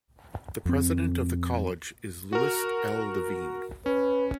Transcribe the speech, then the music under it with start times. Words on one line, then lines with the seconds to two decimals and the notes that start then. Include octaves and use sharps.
The President of the College is Louis L. Levine.
0.65 F2 C4
2.33 F#4 A#4
3.86 C#4 B4